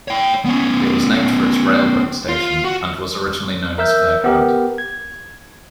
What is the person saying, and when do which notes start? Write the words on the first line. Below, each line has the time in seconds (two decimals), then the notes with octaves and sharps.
It was named for its railroad station, and was originally known as "Fairground".
0.08 C#5 G5
0.45 B3 C#4
2.29 F4
2.65 F#4
3.78 A#4 E5 E6 G6
4.24 B3 G4 A#4
4.78 G#6